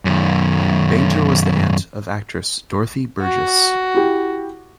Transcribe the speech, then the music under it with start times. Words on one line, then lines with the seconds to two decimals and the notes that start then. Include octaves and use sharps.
Bainter was the aunt of actress Dorothy Burgess.
0.05 F#2 D#3
3.22 F#4
3.95 E4 G4